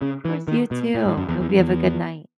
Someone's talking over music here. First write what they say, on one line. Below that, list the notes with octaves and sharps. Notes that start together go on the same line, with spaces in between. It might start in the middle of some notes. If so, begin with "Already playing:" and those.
Of course, you too! I hope you have a good night.
C#3
E3
D#3
B2
A#2
G#2
F#2
E2
E2
F#2
E2